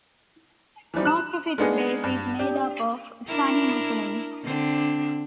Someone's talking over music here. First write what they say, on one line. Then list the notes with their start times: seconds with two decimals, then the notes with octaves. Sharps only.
Most of its base is made up of Sunni Muslims.
0.94 E3 F3 G3 D#4
1.05 F#6 E7
1.58 G#3 A#3 B3 D4 D#4 G#4
2.04 G2
2.39 D4 G4
3.27 D4 E4 A#4
4.43 D3 C4 D4